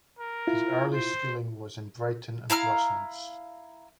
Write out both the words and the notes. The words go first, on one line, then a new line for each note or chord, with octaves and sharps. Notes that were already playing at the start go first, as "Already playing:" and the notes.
His early schooling was at Brighton and Brussels.
A#4
E4 F4
C5
E4 F5 A#5 F6